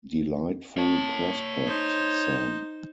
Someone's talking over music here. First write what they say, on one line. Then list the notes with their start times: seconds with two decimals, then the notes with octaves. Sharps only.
Delightful prospect, Sam.
0.78 C#5 A5
1.66 D#4 C5